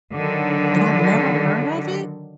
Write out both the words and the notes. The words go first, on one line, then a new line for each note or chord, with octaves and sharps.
And I've never heard of it?
D3 D#3 F#3